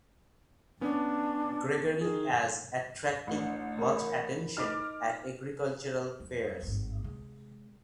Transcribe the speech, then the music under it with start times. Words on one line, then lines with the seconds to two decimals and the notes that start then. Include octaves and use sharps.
Gregory as attracting much attention at agricultural fairs.
0.81 B3 C#4 D4
2.01 D#3 G#4
3.27 A1 D4
3.79 A#4 B5
4.57 D#4 F4 D#5 D6 F6
6.20 F2
6.63 G#1 G2
7.03 C3 G#3